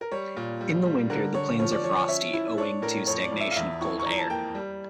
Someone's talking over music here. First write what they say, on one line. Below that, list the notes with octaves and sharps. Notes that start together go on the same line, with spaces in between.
In the winter the plains are frosty owing to stagnation of cold air.
A#4
G3 C#5
A#2
G3
G3
D3 A#4
D3 C#5
F3 C#5
D5
F3 C#5
C#5
C#4 E5
E4
D4 C#5
A2 A#4
F2 C#5
D5
F2
E5
F5
E2 E5
E3 C#6
C#6
F2 A#5
A5
A#3 G5
G3